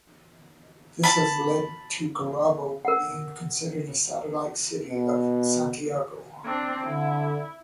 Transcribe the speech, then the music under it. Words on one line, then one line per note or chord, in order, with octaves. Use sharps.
This has led to Gurabo being considered a satellite city of Santiago.
A5 B5
A#4 F#5
B2
C4 D4
D3 E4